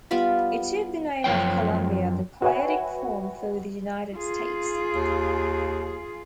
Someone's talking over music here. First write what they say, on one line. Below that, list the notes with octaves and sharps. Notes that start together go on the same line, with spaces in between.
It took the name of Columbia, the poetic form for the United States.
G3 B3 F4 B5
F#2 F3 A#3 C#5 G5
F#4 B4 C#5 E5 G5 G#5
F4 G#4
D#2